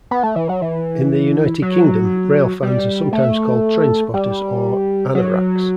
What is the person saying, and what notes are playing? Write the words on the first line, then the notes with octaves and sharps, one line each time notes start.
In the United Kingdom, railfans are sometimes called trainspotters or "anoraks".
B3
A3
E3
F#3
E3
F#3
G3
A3
G3
F#3